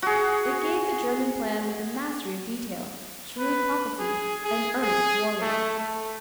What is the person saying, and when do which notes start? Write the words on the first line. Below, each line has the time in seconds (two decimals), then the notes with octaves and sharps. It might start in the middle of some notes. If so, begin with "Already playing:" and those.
It gave the German plan with a mastery of detail, shrewd prophecy, and earnest warning.
0.02 F#4 G#4
3.39 B4
3.99 G#4
4.44 G#4
4.82 G#4
5.41 A3
5.79 A3